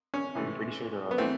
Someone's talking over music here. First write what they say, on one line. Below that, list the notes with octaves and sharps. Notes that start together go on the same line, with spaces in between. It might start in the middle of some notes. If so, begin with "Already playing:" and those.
I'm pretty sure there are
C#4
C3 E3 A3
B3
E3 A3 C4